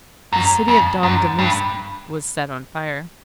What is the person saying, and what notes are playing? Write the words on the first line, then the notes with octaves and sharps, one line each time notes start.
The city of Damdamusa was set on fire.
F#2
F2
F#2
G2